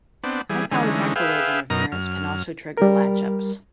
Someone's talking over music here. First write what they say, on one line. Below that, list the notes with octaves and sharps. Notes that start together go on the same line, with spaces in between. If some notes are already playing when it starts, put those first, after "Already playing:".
High-power microwave interference can also trigger latch ups.
B3 C4 D4
E3 G3 G#4
D3 E3 G#3 C#4 D#4
G#4 B4 E5 F5 G5
F#2 B2 D#4 A#4 A#5
F#2 F6
G3 A#4